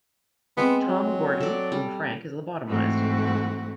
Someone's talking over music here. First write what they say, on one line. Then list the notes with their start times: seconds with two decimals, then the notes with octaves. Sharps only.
Tom Gordon, whom Frank has lobotomized.
0.57 G#3 B3 C4
0.88 F#3
1.41 A4 D5
1.72 G3
2.67 G#2 E3 A3 C4 F#4